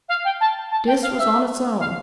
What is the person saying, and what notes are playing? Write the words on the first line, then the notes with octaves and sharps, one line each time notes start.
Dis was on its own.
F5
G5
A5
A5
G5
F5
E5
F5